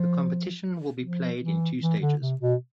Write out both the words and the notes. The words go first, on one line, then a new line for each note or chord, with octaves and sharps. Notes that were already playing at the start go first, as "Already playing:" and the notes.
The competition will be played in two stages.
Already playing: F3
F3
E3
E3
D3
C3
B2